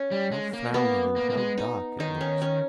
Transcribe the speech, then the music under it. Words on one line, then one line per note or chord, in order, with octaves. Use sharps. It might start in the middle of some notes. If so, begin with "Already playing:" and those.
How frowning and how dark it looks!'
Already playing: C#4
G3
G#3
A#3
A#3 B3
A#3
A#3
G#3
D#4
D#3 D#4
C#4
C#4